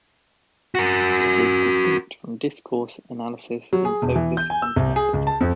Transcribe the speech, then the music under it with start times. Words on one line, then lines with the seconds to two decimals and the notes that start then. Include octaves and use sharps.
It is distinct from discourse analysis in focus and method.
0.75 F#4 A#4
3.73 F#3
3.85 G#4
4.02 E1
4.15 E3
4.37 G6
4.50 G#5
4.62 E6
4.76 C2
4.96 G#4
5.13 C#2
5.27 A5
5.41 F2